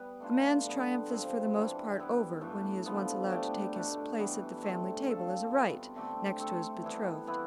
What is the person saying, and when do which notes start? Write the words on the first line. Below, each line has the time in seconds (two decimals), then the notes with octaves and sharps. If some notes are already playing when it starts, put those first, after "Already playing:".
A man's triumph is for the most part over when he is once allowed to take his place at the family table, as a right, next to his betrothed.
Already playing: G3 B3 B4
0.20 A3 D4 F4
0.64 D3 G3 B3
1.08 C3 F3 C4
1.53 E3 G3 D4
1.97 G3 B3 E4 B4
2.41 G2 E3 A3 E4
2.85 D3 F3 B3
3.29 A3 D4 G4 D5
3.74 B2 A3 D4
4.18 E3 G3 B3
4.62 D3 A3 C4
5.07 F3 C4 F4 A4
5.51 B2 G3 B3
5.95 D3 A3 C4 G4
6.39 A3 C4 E4 A4
6.83 E3 G3 B3 E4
7.27 E3 B3 E4 B4